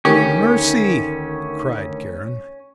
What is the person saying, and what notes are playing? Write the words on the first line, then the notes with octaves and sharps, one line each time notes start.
"Mercy!" cried Karen.
D2 D#3 C#4 G4